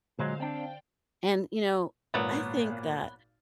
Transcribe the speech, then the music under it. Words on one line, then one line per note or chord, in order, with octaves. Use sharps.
and, you know, I think that,
A#2 D3 F#3 G#3 C5 F5
C4 D4 D5 G5
G#1 A#2 F#3 B3 A6